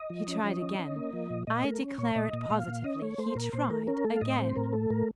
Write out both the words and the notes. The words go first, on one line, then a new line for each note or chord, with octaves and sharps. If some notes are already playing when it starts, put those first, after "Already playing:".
He tried again--I declare it positively, he tried again.
Already playing: D#5
F3
C#4
F3
C#4
C#4
A#3
F3
A#2
A#2 D#5
A3 A#4
C#4
A#2 C#5
A#2 D#5
A#2
A#2 F5
A#2
C#4 D#5
A3 C#5
A3 C5
A#2 A#4
A#2 C5
A3 A#4
C#4 A#4
A3 A4
F5
A2 D#5
C4 C5
A2 A#4
A3 A4
A2 A#4